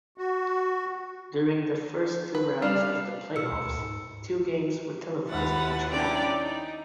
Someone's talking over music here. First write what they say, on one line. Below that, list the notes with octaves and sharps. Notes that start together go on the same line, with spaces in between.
During the first two rounds of the playoffs, two games were televised each round.
F#4
B4
G3 D4 F5
B2 E6 C#7
D2
G#2
D#2 E4 F4 B4 F#5 A6
C#4 D4 E4 D5 G5 A#5
D#4